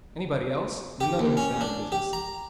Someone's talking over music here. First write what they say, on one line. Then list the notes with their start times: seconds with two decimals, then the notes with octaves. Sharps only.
Anybody else, none of his damn business.
1.01 G4
1.19 D#2
1.37 C#4
1.61 D4
1.92 G4
2.13 A#5